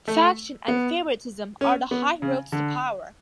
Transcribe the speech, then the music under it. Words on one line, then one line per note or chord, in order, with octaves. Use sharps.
Faction and favouritism are the high roads to power.
A3
B3
C#4
B3
C#3
D3